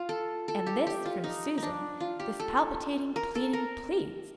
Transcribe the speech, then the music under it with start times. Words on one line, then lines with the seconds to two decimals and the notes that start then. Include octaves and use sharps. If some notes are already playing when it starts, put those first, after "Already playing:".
And this from Susan--this palpitating, pleading "please"!
Already playing: F4
0.09 A4
0.48 A4
0.66 G4
0.87 G4
1.06 F4
1.24 D#4
1.58 D4 D#4
2.00 F4
2.20 G4
2.40 A4
3.16 A#4
3.35 A4
3.53 A#4